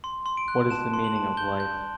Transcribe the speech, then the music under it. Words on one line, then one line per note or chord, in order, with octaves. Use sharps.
What is the meaning of life?
C6
C6
D7
F#6
A5 E7
C6
F#7
A5
G6 G7
G6